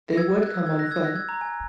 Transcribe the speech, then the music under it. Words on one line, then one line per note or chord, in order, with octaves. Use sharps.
They would come on foot.
A#6
E6 G#6
F#6
E6
E6 G#6
F#6 A#6
E6 G#6
F#6 A#6
E6 G#6
A#5
G#5